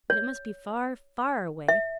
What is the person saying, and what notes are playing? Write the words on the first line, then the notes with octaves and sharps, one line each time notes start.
But it must be far, far away!
C#5
E5